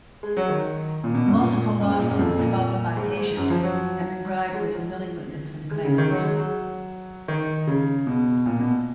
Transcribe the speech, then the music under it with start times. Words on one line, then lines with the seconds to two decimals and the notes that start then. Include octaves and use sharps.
Multiple lawsuits followed by patients and McBride was a willing witness for the claimants.
0.23 G#3
0.37 F#3
0.49 D#3
1.04 A#2
1.14 B2
1.28 F#2
1.40 A#2
1.80 F#2
1.90 G#2
1.99 A#2
2.09 F#2
2.19 F2
2.39 A#2
2.97 G#2
3.17 G#2
3.37 F#2
3.50 F3
3.63 F#3
4.55 G#3
5.71 G#3
5.85 C#3
5.98 D#3
6.11 F#3
6.24 G#3
6.37 F#3
7.28 D#3
7.67 C#3
8.07 B2
8.46 A#2
8.59 B2